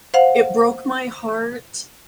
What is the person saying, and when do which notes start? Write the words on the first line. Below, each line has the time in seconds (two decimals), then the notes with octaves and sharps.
it broke my heart
0.14 C5 F5 F#5